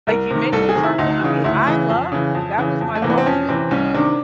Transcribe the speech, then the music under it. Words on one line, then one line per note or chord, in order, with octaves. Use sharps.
like you mentioned charcuterie, I loved that was my go-to, you know,
C2 A#4
C3 D#3
C2 A4
G#4
C3 D#3
E4
D2 D#4
C#3 E3
D2 E4
C#3 E3
F2
C#3 E3
F2
C#3 E3
F2
A3
C3 E3 A#3
B3
C4
F2 C#4
C3 E3 C4
C2 C#4
C3 D#3 D4